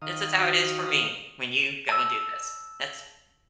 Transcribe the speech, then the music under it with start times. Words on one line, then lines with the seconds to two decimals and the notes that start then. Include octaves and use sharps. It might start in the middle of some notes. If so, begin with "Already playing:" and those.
This is how it is for me when you go and do this. That's f
0.02 D#3 F5 D#6
0.36 F#4
1.89 A5 E6